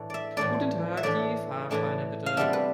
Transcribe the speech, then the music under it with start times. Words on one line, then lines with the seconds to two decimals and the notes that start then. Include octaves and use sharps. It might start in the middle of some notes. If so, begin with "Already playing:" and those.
Guten Tag, die Fahrscheine bitte.
Already playing: A2 E3 A3 D4
0.10 D5 E5
0.37 A2 E3 A3 D4 D5
0.97 E5
1.03 A2 E3 A3 D4 D5
1.71 A2 E3 A3 D4
2.26 F5
2.37 C3 G3 B3 D4 E5
2.53 B4